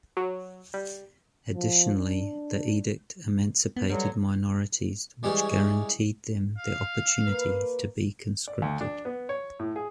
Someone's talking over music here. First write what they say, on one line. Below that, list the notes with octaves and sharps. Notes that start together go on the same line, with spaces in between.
Additionally, the edict emancipated minorities, which granted them the opportunity to be conscripted.
F#3
G3
F3
D4
B3
B2 D3 F#3 G3
E3 G3 G#3 C#4
F5
A#3 B4
D5
D2
D4
B3
C#5
A2
G#4